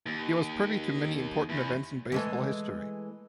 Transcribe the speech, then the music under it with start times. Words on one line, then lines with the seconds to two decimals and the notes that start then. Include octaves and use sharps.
He was privy to many important events in baseball history.
0.06 D#2
1.49 E2
2.12 E3 G#3 A3